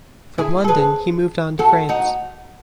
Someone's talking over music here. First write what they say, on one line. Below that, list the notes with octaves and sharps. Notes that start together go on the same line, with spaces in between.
From London he moved on to France.
E4 G#4
A4
G#4 B4
F#4 A4
D#4 F#4